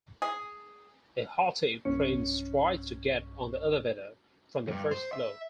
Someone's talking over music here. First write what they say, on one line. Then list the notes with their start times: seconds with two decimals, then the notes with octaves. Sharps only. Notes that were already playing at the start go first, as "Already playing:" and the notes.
A haughty prince tries to get on the elevator from the first floor.
0.22 G#4
1.85 B1 G2 C#4 C#7
4.68 E2 G2
4.91 C5
5.13 E5